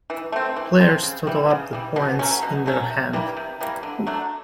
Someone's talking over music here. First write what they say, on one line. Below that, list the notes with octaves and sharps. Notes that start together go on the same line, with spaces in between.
Players total up the points in their hand.
E3
A3 C4
E3
A3 C4
C#3
E3 G3
C#3
E3 G3
B2
F#3 A3 C#4
B2
F#3 A3 C#4
C3
E3 G3 A#3
C3
E3 G3 A#3
D3
F#3 A3 D4